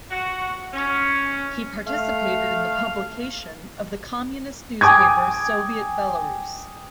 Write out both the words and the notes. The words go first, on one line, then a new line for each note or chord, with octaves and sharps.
He participated in the publication of the communist newspaper "Soviet Belarus".
F#4
C#4
A3 F5
G5 G#5 D6 D#6 G#6